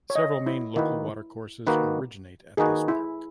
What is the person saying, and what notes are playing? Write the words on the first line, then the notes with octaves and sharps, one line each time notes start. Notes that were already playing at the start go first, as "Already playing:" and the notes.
Several main local watercourses originate at this park.
C#5
D#5
E4
D#3 A#3 D#4 E4 F#4 B4
D#3 A#3 D#4 F#4 B4
D#3 A#3 D#4 F#4 G#4 B4
E4